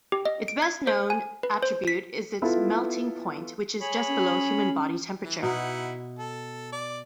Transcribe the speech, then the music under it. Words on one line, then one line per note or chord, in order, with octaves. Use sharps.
Its best-known attribute is its melting point, which is just below human body temperature.
G4
D#5
D7
G#6
C5
G#5
B4
C5
B6
B3 E4 F4 A4
G#4 C#5 B5
C#4
E3
B2 D#4 E4 F#5
A4
D5